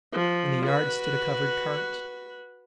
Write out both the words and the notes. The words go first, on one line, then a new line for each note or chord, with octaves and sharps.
In the yard stood a covered cart.
F3
F#4 B4